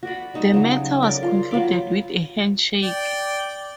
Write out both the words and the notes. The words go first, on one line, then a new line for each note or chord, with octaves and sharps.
The matter was concluded with a handshake.
F#4 D5 B5
G3 D#4 F#4
C#3 F#3
A#4 D5
F4
F#3 F4 B5 D6
D5 G5